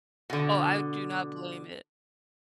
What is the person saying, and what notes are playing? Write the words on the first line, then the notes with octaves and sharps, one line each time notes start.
Oh, I do not blame it.
B2 D3